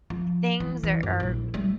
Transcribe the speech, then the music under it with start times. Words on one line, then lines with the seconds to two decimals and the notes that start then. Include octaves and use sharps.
things or or,
0.10 F3
0.60 E3
0.83 E3
1.03 F#2
1.20 A#1 E4
1.54 G3 A3